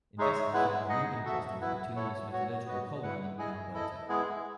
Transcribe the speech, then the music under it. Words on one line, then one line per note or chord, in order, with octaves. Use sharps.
Investors showed renewed interest in the bituminous metallurgical coal mining in Alberta.
G#3 D#4 G#4 C#5 E5
G#3 B3 E4 B4
D#4 G#4 D#5 F#5
F#4 A4 E5
B3 E4 B4 E5
E4 A4 C#5
B3 F#4 C#5
B3 F#4 B4 D#5
E4 B4 F#5
E4 G#4 D#5 G#5
E4 A4 D#5
G#3 B3 E4 G#4